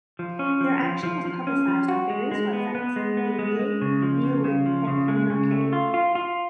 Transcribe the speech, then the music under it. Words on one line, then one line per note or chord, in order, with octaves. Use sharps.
Their action was publicized on various websites, including Digg, Neowin, and Penny Arcade.
F3
C#4
F3
F3
F3
F3
C#4
F3
F#4
G#3
G#3
B3
B3
G#3
B3
G#3
G#3
C#3
F3
C#3
C#3
F3
C#3
G#3
C#3
A3
F4
F4
F4